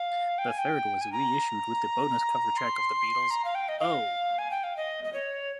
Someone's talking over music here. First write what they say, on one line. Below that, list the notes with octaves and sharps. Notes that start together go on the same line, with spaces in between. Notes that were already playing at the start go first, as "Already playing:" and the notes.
The third was reissued with the bonus cover track of The Beatles' Oh!
Already playing: F5
G5
G#5
G5
G#5
A#5
C6
A#5
F5
G5
D#5
F5
G#5
G5
F5
D#5
D#5
C#5